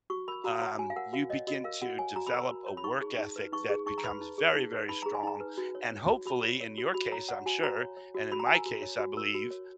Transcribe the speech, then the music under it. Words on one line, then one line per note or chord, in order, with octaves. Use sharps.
um, you begin to develop a work ethic that becomes very, very strong, and hopefully, in your case, I'm sure, and in my case, I believe,
F#4 C#6
A#4 B5
F#4 A#5
C#5 A#5
F#4 G#5
F5
A#4 F#5
F#4 F5
C#5 D#5
F#4 D#5
A#4 F5
F#4 F#5
C#5 G#5
F#4 A#5
B5
A#4 A#5
F#4
C#5
B5
D#4 C#6
G#4
D#4
B4
D#4 C#6
G#4
D#4 C#6
A#5
B4 B5
D#4
G#4
D#4
B4
D#4 B5
G#4 A#5
G#5
D#4 A#5
B4
F#4
C#5
C#5
F#4
F#4 B5
C#5
C#5
F#4
F#4 B5
C#5 A#5
C#5 F#5
F#4 G#5
F#4 A#5
C#5
C#5
F#4
F#4 B5
A#5
A#4 G#5
A#5
F#4
C#5
F#4
A#4
F#4
C#5